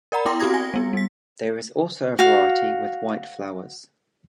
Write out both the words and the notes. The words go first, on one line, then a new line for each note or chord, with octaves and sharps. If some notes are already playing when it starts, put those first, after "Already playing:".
There is also a variety with white flowers.
A#4 D5 F#5 A#5 B5
B3 E4 G5 C6 D6 A#6
C4 F#4 G4 D#6 G#6 A#6
G#5 A#6
G3 B3
G3 B6
F#4 F5